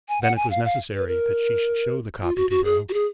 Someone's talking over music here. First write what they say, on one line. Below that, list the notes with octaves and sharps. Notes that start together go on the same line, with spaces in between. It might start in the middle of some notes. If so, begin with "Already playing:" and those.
Then it was necessary that she should show the copy to her uncle.
G#5
F#5
G#5
F5
F5
B4
A#4
F4
F#4
F#4
G#4
F#4
G#4